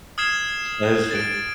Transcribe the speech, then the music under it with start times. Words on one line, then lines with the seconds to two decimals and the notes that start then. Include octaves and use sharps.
That is true.
0.18 D#6 F6 G#6 C7 E7
1.11 A6 D7